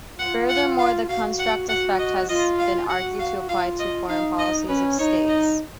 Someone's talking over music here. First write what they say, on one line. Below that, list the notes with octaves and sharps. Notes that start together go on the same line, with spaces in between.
Furthermore, the contrast effect has been argued to apply to foreign policies of states.
F4 F#5
F#5
F5
F#4 F5
F#5
F#4 F#5
D#5
F4 D#5
F5
F#4 F#5
F5
F4 F5
D#5
D#4 F5
D#5
C#4 B4
D#4 C#5
D#5